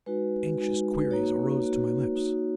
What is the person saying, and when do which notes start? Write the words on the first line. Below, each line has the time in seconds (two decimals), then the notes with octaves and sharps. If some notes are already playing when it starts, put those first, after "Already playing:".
Anxious queries arose to my lips.
0.06 G#3 D#4 F#4 B4
0.59 G#3 D#4 F#4
1.00 B4
1.11 A#3 D#4 F#4 C#5
1.63 A#3 D#4 F#4
2.15 A#3 D#4 F#4